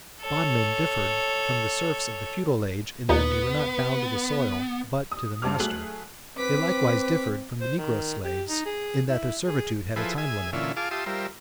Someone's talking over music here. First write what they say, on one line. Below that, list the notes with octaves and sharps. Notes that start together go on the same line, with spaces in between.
Bondmen differed from the serfs of the feudal age in that they were not bound to the soil but to the master. They likewise differed from the negro slaves in that their servitude had a time limit.
A4 C#5
D#2 A#2 B3 D#4
D#6
A#1 G2 A5 D6 F6
F#3 A3 G#4 F#6 F#7
C4 B4 D6 B6
C5
D#3
G4
D#4
G#4
E4
G#4
F3 E4 G#4 A4 B4 C5
G#4 E5 G#5
A#2 D3 E3 C#4 F4 E5
F4 G#4 F5 A5 D6
F4 G4 E5 A5 C6 D#6
G3 F4 A#4 C5 E5